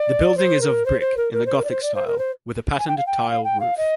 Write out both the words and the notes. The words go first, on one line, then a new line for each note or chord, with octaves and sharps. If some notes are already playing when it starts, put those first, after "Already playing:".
The building is of brick, in the gothic style, with a patterned tiled roof.
Already playing: D5
C5
A#4
C5
C5
A#4
A#4
C5
A#4
D5
C5
D5
C5
A#4
C5
G#5
G5
F5
G5
F5
G5
F5
D#5